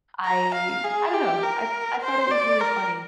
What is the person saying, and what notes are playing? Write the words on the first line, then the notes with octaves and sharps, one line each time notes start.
I I don't know, I I thought it was really funny,
A#5
F5
G#4
G4
A#4
C5
D5
A#4